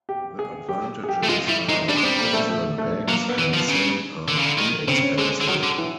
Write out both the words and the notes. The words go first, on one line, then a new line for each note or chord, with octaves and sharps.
The advantages are that the bags and sand are inexpensive.
G4
G#4
G4
G#4
G4
A3
G#3 F4
G3 E4
G#3 D#4
G3 D4
G#3
G3 C4
A#3
A3
A3
A3
F#3 A#3
B3
E3
F3 B3
C#3
D3
C#3
D3
D#3
C#3 C4
C#4
D3 G#3
D3
D#3 F#3
D3
E3